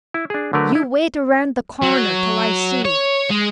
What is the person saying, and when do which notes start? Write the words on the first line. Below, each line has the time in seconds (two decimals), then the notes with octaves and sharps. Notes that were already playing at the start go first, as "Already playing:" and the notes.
"You wait around the corner till I see."
0.14 E4
0.30 D4 G#4
0.53 D3 F#3 A3 A#4 B4
0.75 E4
1.82 F#3
2.85 C#5
3.30 G#3